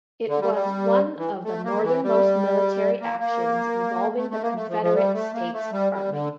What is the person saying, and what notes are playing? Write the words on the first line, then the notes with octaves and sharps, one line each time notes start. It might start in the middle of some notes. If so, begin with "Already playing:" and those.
It was one of the northernmost military actions involving the Confederate States Army.
D3
G3
G3
E3
A3
A#3
E3
G3
A#3
A#3
A3
A3
A#3
A3
F3
F3
G3
A3
A#3
A3
G3
G3
D3